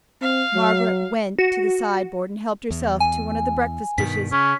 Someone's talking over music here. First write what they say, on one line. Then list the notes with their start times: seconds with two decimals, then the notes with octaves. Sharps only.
Margaret went to the side-board and helped herself to one of the breakfast dishes.
0.22 C4 F5
0.55 F#3
1.39 F#4
2.71 E2
3.00 G#5
3.98 G2 B2 D#3 B6
4.32 C#3 C#4